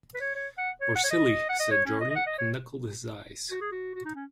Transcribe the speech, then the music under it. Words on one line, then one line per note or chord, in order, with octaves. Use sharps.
"Or silly," said Jordan, and knuckled his eyes.
B4
C#5
C#5
F#5
C#5
F#5
C#5
D#5
F#5
D#5
C#5
C#4
D#5
D#5
F#5
D#5
C#5
F#4
G#4
F#4
F#4
D#4
C#4